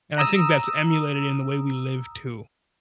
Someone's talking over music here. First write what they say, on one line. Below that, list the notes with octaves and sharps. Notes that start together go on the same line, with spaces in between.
And I think that's emulated in the way we live, too.
A#5 D#6 E6